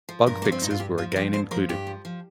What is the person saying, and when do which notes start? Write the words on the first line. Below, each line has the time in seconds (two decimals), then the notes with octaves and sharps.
Bug fixes were again included.
0.09 F3
0.27 G2 A#4
0.42 F3 A#3
0.52 C4
0.62 G2 D#4
0.71 F4
0.80 G2 G4
0.98 F3 F4
1.12 A#4
1.16 F3 G4
1.33 G2 C5
1.51 F3 A#4
1.69 G2 G4
1.87 F3
2.05 F3